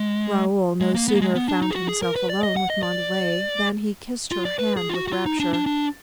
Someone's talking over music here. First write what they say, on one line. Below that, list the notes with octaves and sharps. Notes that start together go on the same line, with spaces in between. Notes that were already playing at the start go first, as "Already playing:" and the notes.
Raoul no sooner found himself alone with Montalais, than he kissed her hand with rapture.
Already playing: G#3
G#3
A#3
B3
A#3
G#3
B3
D4
D#4
G#4
F#4
G#4
A#4
B4
D5
D#5
F#5
D#5
D5
F4
D5
B4
G#4
F4
F#4
F#4
F4
D#4
D4
D4
D4